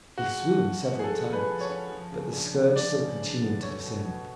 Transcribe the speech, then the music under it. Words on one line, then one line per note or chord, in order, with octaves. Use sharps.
He swooned several times; but the scourge still continued to descend.
G#3 F#4
F3
F4
C#4
G#4
G#3 A4
F3
B4
F4
C#5
C#4
F3
C#3
D4
B3
F3 D5
C#3
D4
B3
A3 C#5
B2
B2